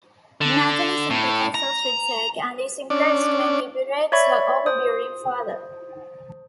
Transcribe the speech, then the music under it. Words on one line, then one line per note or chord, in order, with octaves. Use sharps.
Natalie sympathizes with Jack, and is impressed when he berates her overbearing father.
D3
A2
A#5
C#4 D4 D5
C#5 D5 E5 B5 C#6 G#6
C5 D#6